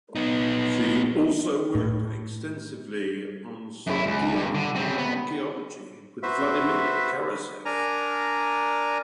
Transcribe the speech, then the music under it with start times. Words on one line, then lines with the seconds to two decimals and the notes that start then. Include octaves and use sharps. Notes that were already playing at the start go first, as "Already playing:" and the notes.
She also worked extensively on Sogdian archaeology with Vladimir Karasev.
0.15 B3 D#4
1.75 A2
3.87 F#2 E4
4.06 C#2
4.36 G2
4.54 D3
4.76 C#3 C4
4.98 B3
6.23 F#4 B4 C5 E5
7.65 D4 A#4 G#5 A#5